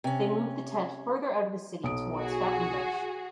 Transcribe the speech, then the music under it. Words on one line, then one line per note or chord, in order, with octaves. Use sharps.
They moved the tent further out of the city towards Fountainbridge.
C3 C#4
B1 D#6 D7
F#4 G#4